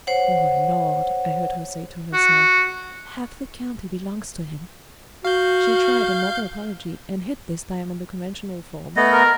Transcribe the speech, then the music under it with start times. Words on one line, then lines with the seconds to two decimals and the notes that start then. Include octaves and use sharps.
"Oh, Lord," I heard her say to herself, "half the county belongs to him!" She tried another apology, and hit this time on the conventional form.
0.07 C5 C#5 F#5
2.14 F#4
5.25 F#4 F5 G6
8.96 A3 B3 D#5
9.12 A#4